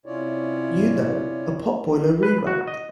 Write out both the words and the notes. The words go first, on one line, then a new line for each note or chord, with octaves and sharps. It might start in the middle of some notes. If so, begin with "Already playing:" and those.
You know, a potboiler rewrite.
C3 C#4 E4 F4 C#5 D5
B4
F#4
D#5